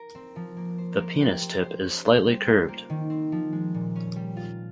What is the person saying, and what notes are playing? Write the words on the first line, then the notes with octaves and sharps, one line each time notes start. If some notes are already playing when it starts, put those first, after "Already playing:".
The penis tip is slightly curved.
Already playing: A#4
C4
F3
A#3
C5
A#3
G4
C4
C5
C#4
C5
G3
F4
A#3
D#3
C4
F3
G#3
A#2
C#4
G3
F4